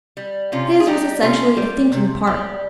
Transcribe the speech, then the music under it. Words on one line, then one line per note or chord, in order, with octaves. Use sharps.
His was essentially a thinking part.
G3
C3 C#4 F4
G#4
G3 D#4 G4
C3 C#4 F4
G3
C3
G3